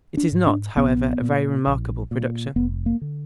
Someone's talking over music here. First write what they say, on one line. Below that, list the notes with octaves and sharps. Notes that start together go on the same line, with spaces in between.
It is not, however, a very remarkable production.
D4
G#2
D4
A#1 B3
A#2
A#1
A#2
F1 B3
A#3
D3